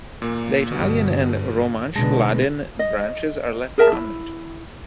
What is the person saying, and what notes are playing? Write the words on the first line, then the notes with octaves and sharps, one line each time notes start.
The Italian and Romansch-Ladin branches are less prominent.
A#2 A#3
G2 B2 D3 G3
B2 D3 G#3 B3 A5 A#6
D#5
G#4 A#4 E5 A5
E4